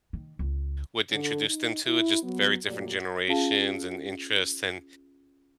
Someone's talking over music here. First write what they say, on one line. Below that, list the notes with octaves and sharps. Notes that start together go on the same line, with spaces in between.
would introduce them to, it's just very different generations, and interests, and
D#3
C#2
D3
D#4
E4
F#3 B3
A#2 F#3 A3 G4 D5
C#4 F4 G#4 F5 A5